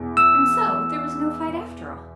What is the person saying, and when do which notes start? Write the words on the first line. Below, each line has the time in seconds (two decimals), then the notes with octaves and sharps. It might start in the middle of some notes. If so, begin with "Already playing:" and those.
And so there was no fight after all!
Already playing: E2 B2 B3
0.17 E6